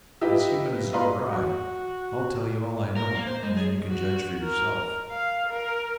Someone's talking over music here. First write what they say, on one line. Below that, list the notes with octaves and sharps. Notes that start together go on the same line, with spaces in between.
As human as you or I. I'll tell you all I know, and then you can judge for yourself.
D#4 F4 G4 B4 D#5 E5
B4 D5 D#5 F5 A#5 C6
F#4
A#4
A#3
C5
G#3
G#4
F#4
A#4
F5
A#4